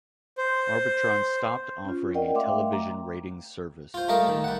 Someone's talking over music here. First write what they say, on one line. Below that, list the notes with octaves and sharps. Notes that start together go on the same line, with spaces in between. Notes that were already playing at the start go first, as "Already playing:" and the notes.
Arbitron stopped offering a television ratings service.
C5
C#4 F4
A#4 D5 D#5 F#5 G5
A3 E5 F5 G5 C6 D6
A#5
F4 C5
G3 A3 A#3 D#5 F5
D#3
G3 F#5